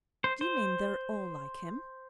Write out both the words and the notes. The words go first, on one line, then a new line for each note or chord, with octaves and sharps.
"Do you mean they're all like him?"
C5
C5